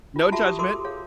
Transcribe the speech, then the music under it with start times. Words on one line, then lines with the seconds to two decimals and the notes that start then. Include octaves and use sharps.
No judgment.
0.16 F4 A5
0.32 F4 F#4 G#4 E5 A5
0.44 G4 D#6
0.59 F#4 A4 A#4 C6 D6 D#6
0.84 G#4 C#5 F5